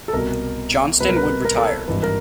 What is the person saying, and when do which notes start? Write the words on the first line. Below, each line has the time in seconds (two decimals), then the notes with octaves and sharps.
Johnston would retire.
0.08 A4
0.13 C2 B2 A#4
1.00 C2 B2 B4
1.09 A#4
1.16 B4
1.45 A#4
1.57 A4
1.71 A#4
1.88 G#1 G2 E3 B4
2.03 A#4